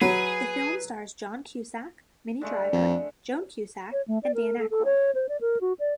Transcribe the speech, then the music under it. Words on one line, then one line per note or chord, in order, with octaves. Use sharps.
The film stars John Cusack, Minnie Driver, Joan Cusack, and Dan Aykroyd.
F#3 G#4 B4
D3 G#3 A3
F2
C#5
A3
D5
A#4
A4
A4
C#5
C5
D5
A#4
F#4
D5